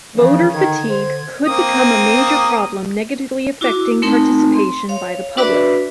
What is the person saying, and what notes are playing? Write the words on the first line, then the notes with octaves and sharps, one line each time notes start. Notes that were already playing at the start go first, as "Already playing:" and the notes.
Voter fatigue could become a major problem negatively affecting participation by the public.
C#3 E3 F3
D3 D#3 G#6
C5
A#3 C4 D#6
E4 F#4 D6 E6
A3 C4 D#4 A#4
C6
C#5 F5
D4 F#4 B4 D5 E5 B5